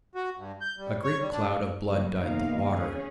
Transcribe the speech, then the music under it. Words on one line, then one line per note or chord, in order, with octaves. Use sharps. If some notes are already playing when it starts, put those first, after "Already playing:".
A great cloud of blood dyed the water.
F#4
G2
G6
G3
C#5
G3
D4
C#3 F#3 G3 A#3
E2 C3 D#3 A#3 D#4 F5
C#4 G#4